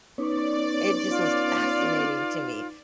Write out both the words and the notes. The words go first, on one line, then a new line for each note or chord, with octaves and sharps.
it just was fascinating to me.
B3 C#4 D#4 B4 C#5 D5 D6
F4